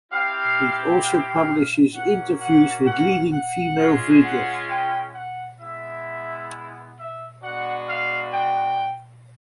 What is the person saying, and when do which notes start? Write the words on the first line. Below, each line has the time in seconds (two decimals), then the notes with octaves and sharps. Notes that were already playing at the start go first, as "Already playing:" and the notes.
It also publishes interviews with leading female figures.
0.11 C4 E4 G4 F5
1.02 F5
1.94 A#3 C#4 F#4 F#5
2.39 F#5
2.85 F#5
3.30 F#5
3.76 G#3 C#4 F4
4.22 F#5
4.68 G5
5.13 F#5
5.59 G#3 B3 E4 E5
6.96 E5
7.41 G#3 B3 D4 F#4 F#5
7.87 F5
8.33 G5